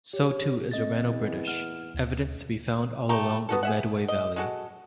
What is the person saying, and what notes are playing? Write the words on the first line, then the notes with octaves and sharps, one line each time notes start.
So too is Romano-British: evidence is to be found all along the Medway Valley.
G4 C#5
A3 C4 D#5 A6
E2
F#5 F6
D2
A3 G4 A#5
B3 F#4 A4
G#4 E5 F#5
D#5
G#3 F#4 A4